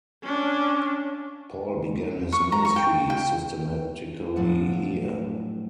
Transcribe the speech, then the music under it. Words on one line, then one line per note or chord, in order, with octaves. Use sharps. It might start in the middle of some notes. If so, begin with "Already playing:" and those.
Paul began his ministry systematically here.
C#4 D4
C#6
A#5
C#6
G5
G5
F#2 A2 F3 D4 F5 F#5